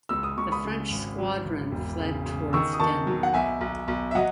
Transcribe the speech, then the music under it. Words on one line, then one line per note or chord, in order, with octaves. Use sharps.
The French squadron fled towards Denmark.
C#2 E6
D#6
C#2 C#6
B5 D#6
C#3
G#1
F#3
G#1
E1
C#3
C#3
D#3 C#6 E6
D#6
D#3 A5 C#6
F#3
F#5
B1 E5 G#5
B1
B1
E5
F#3 D#5 F#5